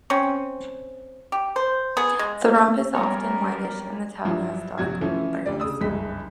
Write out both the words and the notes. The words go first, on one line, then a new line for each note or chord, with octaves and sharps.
The rump is often whitish and the tail has dark bars.
C4 C#4
G4
C5
B3 G#4
G#3
G3 B3 C#4 A#4 C#5 A#5
G2 F3 F#3 D4 E4
A#1 C3 F#3 F#4 G#6
E3 F3 A3 C#4
D2 D3 G4 D5
C#3 D4 D#6 E6
F#1 C2 G2 G#3 B6